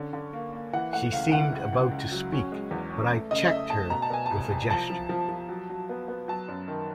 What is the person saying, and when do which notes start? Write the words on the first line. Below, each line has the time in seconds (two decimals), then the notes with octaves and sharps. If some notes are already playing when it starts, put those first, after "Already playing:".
She seemed about to speak, but I checked her with a gesture.
Already playing: D3 C#4
0.13 D3
0.33 A#3
0.53 A#3
0.73 E3 F#5
0.93 A3 F#5
1.12 C#2 F5
1.32 E3 F#5
1.52 C#2
1.73 C#2
1.91 C#2
2.12 F#3
2.32 C#4
2.52 G#3
2.71 E2
2.91 C#4
3.12 A3
3.31 C#3 D#5
3.45 D#5
3.50 A3 E5
3.70 A3 A5
3.90 B2 A#5
4.02 A5
4.10 B2 G#5
4.26 C2 A5
4.50 C2
4.70 F3 A5
4.90 F3
5.09 F3
5.29 F3
5.49 F#3
5.70 F#3
5.89 B3
6.08 B3
6.28 F#3 A5
6.48 F#2
6.68 D#3